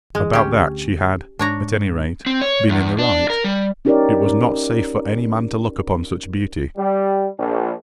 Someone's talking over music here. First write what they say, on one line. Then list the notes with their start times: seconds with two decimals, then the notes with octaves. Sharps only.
About that she had, at any rate, been in the right--it was not safe for any man to look upon such beauty.
0.15 G1 E3 G#3
0.33 D2 C#4 G4
1.39 G#2 D4 C#5 A#5
2.26 C4
2.41 C#5
2.69 E2
2.99 D4
3.30 A#4
3.44 G3
3.85 C#4 D#4 G4 A#4 C#5 D5
6.77 G3
7.38 A#1